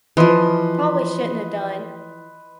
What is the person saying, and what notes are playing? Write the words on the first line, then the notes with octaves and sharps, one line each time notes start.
probably shouldn't have done.
E3 F3 B4 D#5 C6